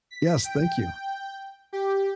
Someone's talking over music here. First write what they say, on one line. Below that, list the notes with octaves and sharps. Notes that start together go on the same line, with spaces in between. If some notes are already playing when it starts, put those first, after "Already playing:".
Yes, thank you.
B6
G5
G4